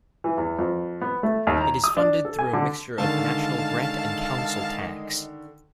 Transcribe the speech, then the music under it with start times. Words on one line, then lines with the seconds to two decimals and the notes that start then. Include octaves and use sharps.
It is funded through a mixture of national grant and council tax.
0.24 E3
0.38 E2
0.59 F2
1.01 B3
1.23 A3
1.47 D#2
1.61 A#5
1.84 D#6
1.97 D4
2.25 A4
2.39 G#5
2.53 D3
2.98 D3 D#3 G#3 F5 A5